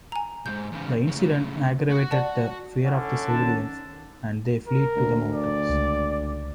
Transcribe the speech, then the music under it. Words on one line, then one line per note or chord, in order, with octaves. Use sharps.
The incident aggravated the fear of the civilians and they fled to the mountains.
G#5 A#5
B1 G#2 G6
E2 C#3
A2 C#3
F#4
D5 F#5 A5
A2 D3 C#4
D#3 C#4 A5
A#4
D2
D5
C#2